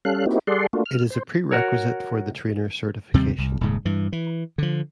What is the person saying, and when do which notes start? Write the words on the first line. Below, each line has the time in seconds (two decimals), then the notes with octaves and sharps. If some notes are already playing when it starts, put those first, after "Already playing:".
It is a prerequisite for the trainer certification.
0.05 G3 C#4 A4 F5 F#6
0.26 A#3 C4 D#4 E4 F#4 G4
0.47 G3 G#4 A4 D5 F#5 C6
0.73 A3 A#3 D4 F4 F#4
0.86 F6
1.10 C5
1.51 F#4 A#4 C#5
3.14 D#2 C3 G3 C4
3.38 C2
3.61 D#1 G#2 C#3
3.85 G2 E3
4.12 E3
4.58 D3 F3